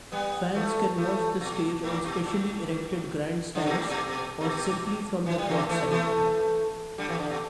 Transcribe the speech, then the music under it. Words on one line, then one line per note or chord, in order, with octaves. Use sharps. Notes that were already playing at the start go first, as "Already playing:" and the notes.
Fans can watch the stage on specially erected grandstands or simply from the curbside.
G3 B3
E3 A3
E3 A3
B2
A2
B2
A2
D3
B2
A2
B2
B2
E3
G3
B2 E3
E3 A3
E3 A3
D3 G3
B2 E3
D3
B2